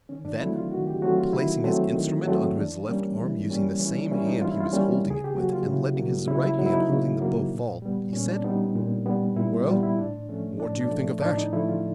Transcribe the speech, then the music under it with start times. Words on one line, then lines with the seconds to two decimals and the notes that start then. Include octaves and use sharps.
Then, placing his instrument under his left arm using the same hand he was holding it with and letting his right hand holding the bow fall, he said, "Well, what do you think of that?"
0.09 D#3 C#4
0.25 D4
0.40 F#3 A3 C4 E4
0.56 F4
0.71 D#3 F#4
0.87 G4
1.02 F#3 A3 C4 F#4
1.18 F4
1.33 D#3 E4
1.64 F#3 A3 C4
1.95 D#3
2.25 F#3 A3 C4
2.56 E3 D4
2.88 G3 A#3 C#4
3.18 E3
3.50 G3 A#3 C#4
3.80 E3 C#4
3.96 D4
4.11 G3 A#3 C#4 E4
4.27 D#4
4.42 E3 F4
4.51 E4
4.61 F4
4.73 G3 A#3 C#4
5.04 C#3
5.10 G#4
5.24 G4
5.35 F#3 A#3 F#4
5.52 F4
5.66 C#3 E4
5.96 F#3 A#3
6.27 C#3 E4
6.43 E4
6.59 F#3 D#4
6.62 A#3 E4
6.74 D#4
6.89 C#3
7.20 F#3 A#3
7.52 A#2
7.82 G3 B3
8.13 A#2 C#4
8.29 D4
8.44 G3 B3 D#4
8.75 A#2
9.06 G3 B3
9.36 A#2 E4
9.67 G3 F4
9.72 B3
9.83 E4
9.98 A2 D4
10.29 F3 A3 C#4
10.60 A2 D4
10.81 D4
10.91 F3 A3
11.22 A2 D4
11.37 D#4
11.53 F3 A3 E4
11.69 F4